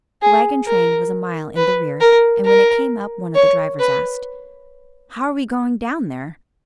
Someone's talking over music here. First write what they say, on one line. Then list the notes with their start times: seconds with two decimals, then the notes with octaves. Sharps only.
The wagon train was a mile in the rear, and when it came up one of the drivers asked, "How are we going down there?"
0.22 G#4
0.67 A#4
1.56 B4
2.01 A#4
2.46 A#4
3.35 C#5
3.80 B4